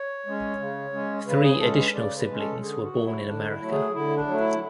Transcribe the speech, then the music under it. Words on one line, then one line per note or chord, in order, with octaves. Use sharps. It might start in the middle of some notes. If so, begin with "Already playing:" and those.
Three additional siblings were born in America.
Already playing: C#5
G#3 C#4
C#3
G#3 C#4
C#3 B4
G#4
G#3 C#4 A4
B4
C#3 D5
B4
G#3 C#4
A4
D3 G#4
F#4
F#3 A3
E4
D3 D4
E4
F#3 A3
G#4
D3 E4
D4
F#3 A3
E4